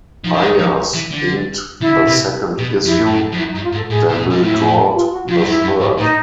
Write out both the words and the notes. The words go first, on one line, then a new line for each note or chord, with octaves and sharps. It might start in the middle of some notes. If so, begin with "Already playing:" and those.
Ayers inked the second issue, then Bill Draut the third.
F3 D#4
D3
D#3
F3
E3
D3
D3 E4
C3
B2
F2 E4
G2
F#2
F2
F#2 E4
D#4
G2
F4
G#2
A4
A2 G#4
C3
B2
G#2
A2 E4
F4
F#4
F2 F4
F#2
G2 E4
F#2
G#2
A2 D#4